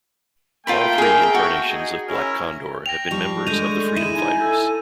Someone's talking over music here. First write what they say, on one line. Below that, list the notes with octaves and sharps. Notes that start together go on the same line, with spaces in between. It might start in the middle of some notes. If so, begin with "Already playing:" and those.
All three incarnations of Black Condor have been members of the Freedom Fighters.
A3 A#3 F4 A#4 G5 B5
G#4 A#4
F#4
D#4 G#4
C#4 E4 A#4
G5 A#6 F7
F3 G3 C#6
G#3 A3 D4 G6 D#7 F7
E4 B5 D#7 E7
D#4 G#5
A4